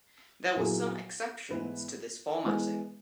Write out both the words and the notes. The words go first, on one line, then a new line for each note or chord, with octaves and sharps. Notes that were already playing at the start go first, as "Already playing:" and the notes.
There were some exceptions to this formatting.
A#2 F#3 B3 E4 G#4
G#2 E3 B3 E4 B4
E3 G#3 B3